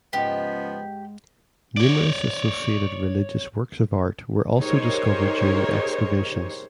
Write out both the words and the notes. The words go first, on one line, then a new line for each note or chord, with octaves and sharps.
Numerous associated religious works of art were also discovered during the excavations.
G#2 C#3 F3 B3 G4
C#5 D5
D#4 G4 G#4 A#4 C5 C#5